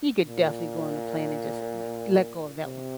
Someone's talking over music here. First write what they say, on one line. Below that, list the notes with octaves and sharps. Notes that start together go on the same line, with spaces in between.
you could definitely go on a plane and just l let go of that one.
A#2
C3